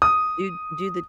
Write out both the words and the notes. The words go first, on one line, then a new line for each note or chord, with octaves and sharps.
do do the
D#6